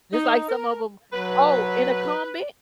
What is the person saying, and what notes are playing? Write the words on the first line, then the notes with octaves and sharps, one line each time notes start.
just like some of 'em Oh, in a comment,
D#4
A#4
F#3 B4